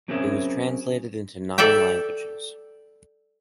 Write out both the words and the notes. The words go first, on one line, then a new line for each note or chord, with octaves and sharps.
It was translated into nine languages.
F#3 C4 C#4 G#4 A#4 E5
A4 D5 E5 G5